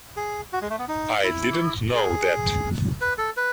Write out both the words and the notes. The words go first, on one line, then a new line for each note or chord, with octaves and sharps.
I didn't know that.
G#4
F#4
G#3
A3
B3
D#4
E4
G#4
B4
A4
B4